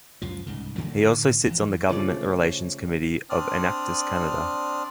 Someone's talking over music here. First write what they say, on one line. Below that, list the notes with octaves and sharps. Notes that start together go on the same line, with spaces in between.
He also sits on the government relations committee of Enactus Canada.
C#2 F#2 F3
C2 G#2 C#3
A2 D3 D#3 A3
F2 E3
C#3 F3 A3 D5
C4 D4 D5 D#6 F6